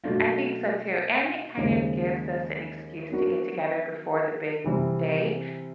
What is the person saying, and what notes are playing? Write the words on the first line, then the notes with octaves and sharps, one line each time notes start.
I think so too, and it kind of gives us an excuse to get together before the big day.
B2 F#3 A3 D4 F4
D#2 C#3 F3 G#3
F#3 B3 D4 F#4 A#4
C3 E3 G3 C4